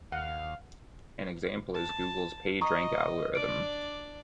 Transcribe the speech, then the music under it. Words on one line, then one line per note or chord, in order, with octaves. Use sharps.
An example is Google's PageRank algorithm.
D#2 F5 F#5
A5
D#5 A#5 C#6 D#6
D4 D5 D7